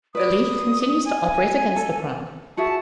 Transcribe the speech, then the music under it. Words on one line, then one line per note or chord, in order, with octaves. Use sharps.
The League continued to operate against the crown.
B4 D5 D#6
G#5
A4
F#4 G#4 E5 A5